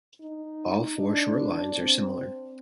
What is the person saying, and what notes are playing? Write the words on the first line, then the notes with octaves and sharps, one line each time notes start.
All four short lines are similar.
D#4
D4
C4